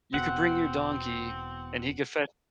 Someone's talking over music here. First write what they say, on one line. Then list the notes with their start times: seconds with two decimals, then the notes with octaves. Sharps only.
you could bring your donkey and he could fetch"
0.14 E1 E2 B2 C4 F#5